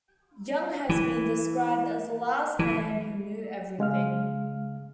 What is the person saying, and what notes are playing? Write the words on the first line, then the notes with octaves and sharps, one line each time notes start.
Young has been described as "The Last Man Who Knew Everything".
E3
E3
C#3 G#3 F5 F6